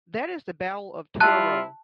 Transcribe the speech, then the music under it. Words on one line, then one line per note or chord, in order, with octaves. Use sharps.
That is the battle of Toro.
G3 E4 F4 A5 F#6